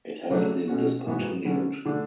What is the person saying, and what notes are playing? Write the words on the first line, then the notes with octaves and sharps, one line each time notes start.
It has been discontinued.
C#3 F#3 A3 D4
B2 A3 C#4 F#4
G#2 E3 B3 F#4
D3 F#3 C#4
D3 A3 D4